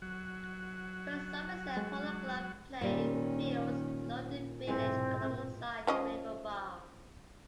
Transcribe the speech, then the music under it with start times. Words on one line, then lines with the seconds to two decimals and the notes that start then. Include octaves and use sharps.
West Somerset Polo Club play in fields below the village alongside the River Barle.
0.02 F#3 F#4
1.77 G#3
2.81 A#2 D#3 G3 C4 C#4
4.67 B1 G#2 E3 G#3 C4
5.87 F3 C#4 D#5